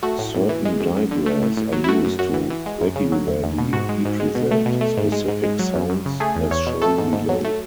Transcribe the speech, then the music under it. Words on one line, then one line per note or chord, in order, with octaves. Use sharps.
Certain digraphs are used to regularly represent specific sounds as shown below.
A3 F#4
A2
A2
E3
G#3
F#2
F#2
D3
A3
A2
A2
F#3
E4
A3 F#4
F#2
F#2 F#4
E3
E3
G#3
F#2
C#3
F#3
E2
E2
B2
G#2 F#4
G#3
G#2
G#3
B2
A3
B2
A3
G#2
G#3
G#2
G#3
F#3
F#2
F#2
C#3
A3 G#4
E2
E2 C#5
B2
A3 A4
G#2
G#2
F#3
A3